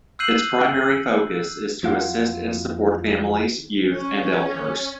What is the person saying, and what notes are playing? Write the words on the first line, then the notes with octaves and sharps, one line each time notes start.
Its primary focus is to assist and support families, youth and elders.
E6 F#6 G6 C7 D#7 F#7
F2 F#3 E4 F4 F5 F#5
C#4